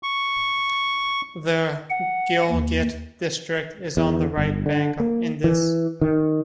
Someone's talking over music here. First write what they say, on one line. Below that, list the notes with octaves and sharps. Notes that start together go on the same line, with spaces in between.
The Gilgit district is on the right bank of Indus.
C#6
F#5
D#2
E2
G1
D3
A#3
E3
D#3